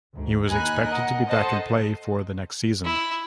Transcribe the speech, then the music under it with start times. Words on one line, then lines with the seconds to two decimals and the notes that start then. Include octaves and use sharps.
He was expected to be back in play for the next season.
0.15 D2 G#2
0.49 D#2 D#4 G#5 B5 F#6
0.88 A#4 D#5 F#5
1.29 A4 C5 D#5 F#5 A5
2.84 E4